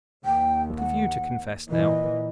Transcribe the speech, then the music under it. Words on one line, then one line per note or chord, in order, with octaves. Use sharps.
What have you to confess now?
D#2 G5
F#5
A#2 E3 D#5